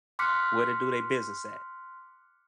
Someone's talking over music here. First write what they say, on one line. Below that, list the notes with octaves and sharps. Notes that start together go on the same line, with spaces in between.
where to do they business at.
C6 D6 F6 F#6 B6 C#7